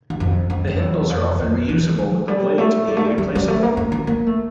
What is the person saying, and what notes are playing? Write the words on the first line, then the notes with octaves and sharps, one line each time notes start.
The handles are often reusable, with the blades being replaceable.
E2
F2
F2
F2
E2
F2
F2
E3
F3
G3
A3
G3
A3
G3
G3
G3
A3
A#3
A#3
A#3
A#3
A3